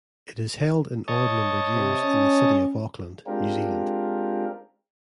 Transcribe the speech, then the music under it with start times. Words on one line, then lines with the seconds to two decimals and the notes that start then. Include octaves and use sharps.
It is held in odd numbered years in the city of Auckland, New Zealand.
1.08 C#5 D#5 A5
1.74 C3
2.03 C#4
3.27 G#3 C4 D4 F4 G4 A#4